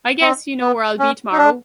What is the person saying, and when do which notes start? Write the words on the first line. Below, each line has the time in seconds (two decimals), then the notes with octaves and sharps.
I guess you know where I'll be tomorrow!
0.21 C4
0.60 B3
0.99 C#4
1.32 D#4
1.38 D4